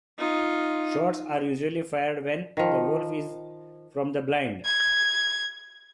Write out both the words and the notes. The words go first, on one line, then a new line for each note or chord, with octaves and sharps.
Shots are usually fired when the wolf is from the blind.
D#4 F4
D#3 F3
G#6